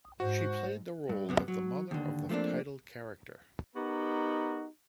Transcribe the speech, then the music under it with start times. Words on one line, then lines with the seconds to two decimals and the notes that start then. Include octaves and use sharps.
She played the role of the mother of the title character.
0.20 G#2 F#4 C5
1.09 G2
1.29 F#2 C3 B3
1.48 F#3
1.91 D#2 D3
2.29 F3 A3 A#3 C4 D4
3.75 B3 D#4 F#4 G4 A#4